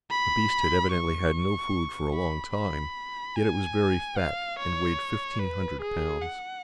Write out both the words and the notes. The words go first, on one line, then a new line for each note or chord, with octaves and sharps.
The beast had evidently had no food for a long time, yet it was very fat, and weighed fifteen hundred pounds.
B5
C#6
B5
B5
G#5
F5
C#5
B4
G#4
F#5